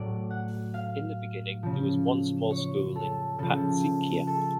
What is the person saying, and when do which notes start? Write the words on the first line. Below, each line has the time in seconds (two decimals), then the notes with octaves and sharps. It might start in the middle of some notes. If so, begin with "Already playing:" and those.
In the beginning, there was one small school in Patzicia.
Already playing: A2 F#3 D5
0.30 F#5
0.74 F5
1.63 C#3 F3
2.51 C#5
2.95 A4
3.38 C#3 F3 A4
4.27 A4